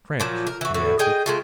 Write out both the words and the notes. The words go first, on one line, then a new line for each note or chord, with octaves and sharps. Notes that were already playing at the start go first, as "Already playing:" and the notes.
"Trench," he answered.
A#2 F3 F#3
A#4
E3 F#4
A2 D3 F#4
G#4 D#5 G5
G#3 A3 F4